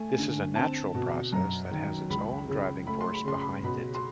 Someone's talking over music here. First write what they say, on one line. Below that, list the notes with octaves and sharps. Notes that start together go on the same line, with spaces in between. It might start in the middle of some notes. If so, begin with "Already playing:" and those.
This is a natural process that has its own driving force behind it.
Already playing: A3 G#5
D3
C4 A5
B2
F#2 A#5
D#3
C#2 B5
C#3
A3 B5
C6
B5
C#3 C6
B5
B2 B5
C6